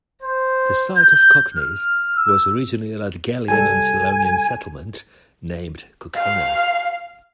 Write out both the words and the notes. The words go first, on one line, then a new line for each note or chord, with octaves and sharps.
The site of Koknese was originally a Latgalian and Selonian settlement named Kukenois.
C5
G6
F6
E6
C2 G3 A4 G#5
F5